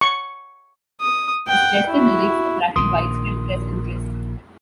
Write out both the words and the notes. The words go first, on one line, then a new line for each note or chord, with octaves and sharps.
The suggestive lyrics attracted widespread press interest.
C#6
D#6
F#5 G5
E4 F#4
A#1 A#2 D#3 C6 D#6